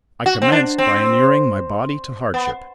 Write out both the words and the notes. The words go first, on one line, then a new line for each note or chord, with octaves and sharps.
I commenced by inuring my body to hardship.
F#4
C4
D4
C4
B3